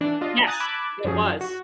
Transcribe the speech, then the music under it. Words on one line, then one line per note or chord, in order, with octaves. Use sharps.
Yes, it was.
E3 D4
D4 F4 D#5
G#5 A#5 D#6 F#6 G#6 A6
A5 B5 D6 E6 F#6 G#6
F#2 F3 F#3 G#4
F#4